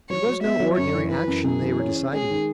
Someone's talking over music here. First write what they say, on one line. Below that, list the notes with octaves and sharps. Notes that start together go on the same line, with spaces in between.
It was no ordinary action they were deciding.
F#3 C#5
F#3
B3 E5
F#3
F#2 C#5
E3
E3 B4
F#2
F#2 G#4
E3
C#4
C#4
G#3 G#4
D#3